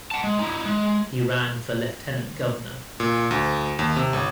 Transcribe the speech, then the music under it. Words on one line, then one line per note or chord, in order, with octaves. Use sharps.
He ran for Lieutenant Governor.
F#5 A5
G#3
D#4 E4
G#3
A#2
D2
D#2
C3
G1